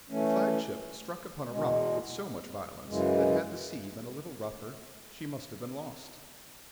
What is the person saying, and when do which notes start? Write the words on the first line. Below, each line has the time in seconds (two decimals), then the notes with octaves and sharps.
The flag-ship struck upon a rock with so much violence that had the sea been a little rougher, she must have been lost.
0.10 E3 A3 C#4
1.49 E2 B2 G#3
2.88 F#2 C#3 E3 G#3